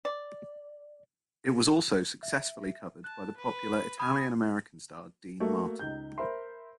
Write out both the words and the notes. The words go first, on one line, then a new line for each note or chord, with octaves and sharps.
It was also successfully covered by the popular Italian-American star Dean Martin.
D5
E5
A5 F#6
B4
G#5 B5 D#6
A3 A#3 F#4
C#2 D#4 G6
A#4 C5 E5 B5 C6